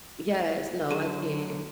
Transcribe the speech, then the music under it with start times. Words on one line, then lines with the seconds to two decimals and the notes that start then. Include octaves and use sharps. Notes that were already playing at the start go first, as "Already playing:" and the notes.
Yes, no, I can't.
0.91 D3 F#3 G#4 D#7